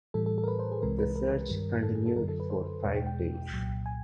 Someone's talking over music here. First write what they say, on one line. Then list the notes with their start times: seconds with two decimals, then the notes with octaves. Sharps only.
The search continued for five days.
0.14 A2 E3 G3 A4
0.26 A4
0.38 A4
0.44 A#4
0.48 B4
0.59 C5
0.72 G#4
0.82 C2 C3 E3 G#3 A#4
0.98 B4
1.15 A#4
1.49 G2 D#3 G3
1.83 A4
1.95 G#4
2.06 A4
2.16 F#2 D3 F#3 A#4
2.29 A4
2.40 B4
2.50 C5
2.84 E2 B2 G#3 C#5
2.96 G5
3.06 G5
3.51 C2 A#2 F#3
3.86 G#5